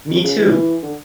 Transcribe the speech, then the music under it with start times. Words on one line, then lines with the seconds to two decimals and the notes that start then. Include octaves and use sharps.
Me too!
0.23 C#3
0.37 E3
0.52 E3
0.82 D3